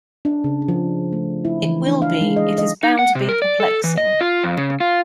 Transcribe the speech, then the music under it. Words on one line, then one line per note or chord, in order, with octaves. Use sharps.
It will be — it is bound to be perplexing.
D4
C#3
F3
A3
E4
E3
D4
F5
G#3
D#5
D#5
D#4
F#5
C3
A#4
D5
A4
E3
D#5
F4
F2
C#3
F4